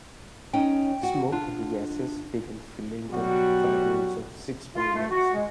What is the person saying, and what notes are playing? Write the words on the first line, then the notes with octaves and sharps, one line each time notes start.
Smoke and gases began filling the firerooms of six boilers.
C#4 D#4 G5
F#4
D4 F4
B2 F#3 G3 F#4
F4
A3
F#4
G#3